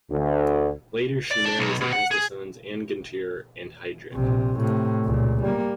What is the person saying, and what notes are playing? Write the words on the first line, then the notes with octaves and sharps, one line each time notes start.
Later she marries and has the sons Angantyr and Heidrek.
D2
D5
D4
B1
B2
F#5
G#4
A#1 C3
A2 C3
C#2 A#2
G3 A#3